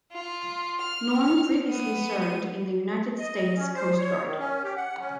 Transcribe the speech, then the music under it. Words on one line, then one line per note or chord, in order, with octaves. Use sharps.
Norm previously served in the United States Coast Guard.
F4
F6
B3 D#7
D#5
C#4
C5
C#5
D#3
C#4
G4
F#5
C#4